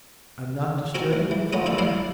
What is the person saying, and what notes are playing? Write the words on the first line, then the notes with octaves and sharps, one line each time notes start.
'I'm not disturbing you, father?'
C4 F#4 A#4 G#5 A#5
D2
E3
A2 D3 C#4 B4 A#5 D#6
A3 A#3 D4 A4
E4 A#4 D5 F5